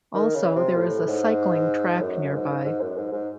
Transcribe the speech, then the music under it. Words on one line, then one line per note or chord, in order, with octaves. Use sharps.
Also, there is a cycling track nearby.
D#3
C#3
C3
A2
G#2
F#2
G#2
G#2
F#2
G#2
G#2